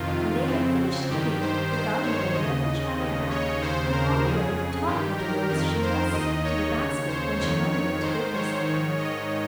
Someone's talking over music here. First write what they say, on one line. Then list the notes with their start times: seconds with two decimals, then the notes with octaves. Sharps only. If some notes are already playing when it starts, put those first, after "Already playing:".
When they had finished eating, the godmother led the child back, and on the way taught her the words she must say to the basket when she wanted it to give her something.
Already playing: F2 C3 D#3 F4
0.47 F2 C#3 C4
1.10 G2 D#3 G4
1.41 C5
1.71 G2 C5
1.77 D#3
2.03 C#5
2.34 D#2 C#3 D#5
2.98 D#2 C#3
3.30 C#5
3.61 D#2 C#3 C5
3.92 A#4
4.25 F2 C#3 G#4
4.87 G2 D#3 G4
5.18 A#4
5.50 F2 D#3 A#4
5.82 C5
6.13 D#2 D#3 D#5
6.44 C#5
6.76 D#2 C#3
7.08 C5
7.39 F2 D#3 C#5
7.71 C#5
8.02 G#2 D#3 C5
8.34 C#5
8.65 G#2 D#3 C#5
8.97 D#5